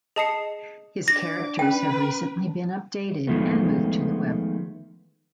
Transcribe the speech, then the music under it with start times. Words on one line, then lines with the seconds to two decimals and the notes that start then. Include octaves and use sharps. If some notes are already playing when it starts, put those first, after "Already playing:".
His characters have recently been updated and moved to the Web.
0.16 G#4 D#5 A5 D#6 C7 C#7
1.08 D4 D6 A#6
1.59 C#4 B4 G5
3.27 D#3 F3 G#3 A3 B3